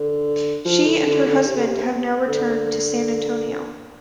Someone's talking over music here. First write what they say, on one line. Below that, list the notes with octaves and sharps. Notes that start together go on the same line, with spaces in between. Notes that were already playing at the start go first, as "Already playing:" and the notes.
She and her husband have now returned to San Antonio.
Already playing: D3
F3
D3
D3
D3
C3
D3
C3
D3